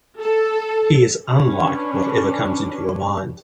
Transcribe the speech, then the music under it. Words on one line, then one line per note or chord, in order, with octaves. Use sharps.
He is unlike whatever comes into your mind.
A4
C#4 D4 B4